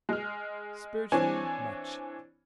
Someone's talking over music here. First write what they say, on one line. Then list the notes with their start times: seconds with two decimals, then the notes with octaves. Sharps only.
Spiritually much.
0.09 G#3 F6
1.12 E3 C4 D4 C#5 G#5